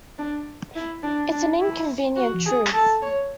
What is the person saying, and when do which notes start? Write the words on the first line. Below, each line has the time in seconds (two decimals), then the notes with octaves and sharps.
It's an inconvenient truth.
0.18 D4
0.75 E4
1.03 D4
1.31 D4
1.60 E4
2.16 F#4
2.45 G#4
2.73 A4
3.02 C#5